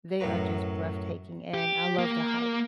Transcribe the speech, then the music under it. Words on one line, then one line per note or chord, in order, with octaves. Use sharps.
they are just breathtaking, and I love to hike
F#2 A2 F#3 B4 A#5
G4
A#3